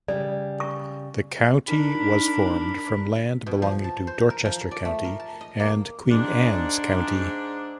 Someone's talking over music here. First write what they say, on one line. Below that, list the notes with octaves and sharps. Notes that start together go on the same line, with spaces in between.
The county was formed from land belonging to Dorchester County and Queen Anne's County.
C#3 G3 D5
C#6
D4 D#4 A#4 B5
B2
F3
A5
C5
A#4
F3
D5
A3
A#4
A5
D#5
A#3
G#2 D4